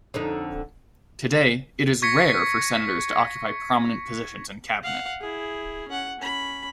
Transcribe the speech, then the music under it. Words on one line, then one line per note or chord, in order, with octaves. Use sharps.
Today, it is rare for senators to occupy prominent positions in cabinet.
F2 D3 D#4
C#6 G#6 A#6 B6 C#7
F5 F#5
E4 G#4
C#4 F#5
C#4 B5